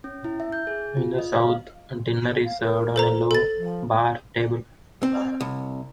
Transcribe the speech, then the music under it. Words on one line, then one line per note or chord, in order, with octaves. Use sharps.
In the south, dinner is served on a low, bare table.
C#4
E4
E5
G6
G#4
F4
D#5
F5
F5
A#4
A4 C5 A#5
A4 A6
F3
C4
C2